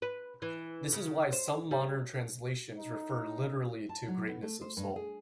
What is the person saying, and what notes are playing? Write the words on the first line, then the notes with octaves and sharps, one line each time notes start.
This is why some modern translations refer literally to greatness of soul.
B4
E3
C#3
C5
G3
D#4
A5
F#3
B3
A3
C5
G2
G#4